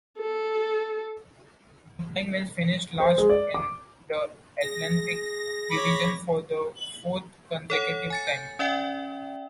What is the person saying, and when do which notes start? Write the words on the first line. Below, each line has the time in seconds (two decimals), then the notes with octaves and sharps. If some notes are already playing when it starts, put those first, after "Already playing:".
The Penguins finished last in the Atlantic Division for the fourth consecutive time.
0.19 A4
3.00 C5
3.18 G#3
3.29 D5
3.54 D6
4.61 G#4 A#6
5.70 C#5 B5 D6
7.70 A4 C#5 F#5
8.10 G#5 A6 C#7
8.27 G6
8.59 C#4 D5 E5 G5